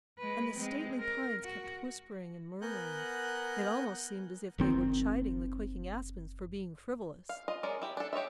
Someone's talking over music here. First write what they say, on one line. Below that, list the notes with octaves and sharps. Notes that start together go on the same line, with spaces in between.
And the stately pines kept whispering and murmuring; it almost seemed as if they were chiding the quaking aspens for being frivolous.
G#3 B4
G#3 C4
A#4
F#4
B3 A#4 F#5 G#5 F#6 G6
F#1 D#3 C4
F5
F4 D#5
G#3 C#4 A#4 D5
E4 G4
D4 A4
G4 C#5 D#5 E5